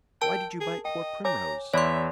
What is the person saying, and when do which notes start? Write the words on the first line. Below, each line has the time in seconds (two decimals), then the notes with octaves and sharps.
"Why did you bite poor Primrose?"
0.22 A#4 G5 A5
0.61 G#4
0.85 D#5 G5
1.25 C#5 G#5 A#5 D6
1.74 E2 C#5 D5 E5 B5 C6 D6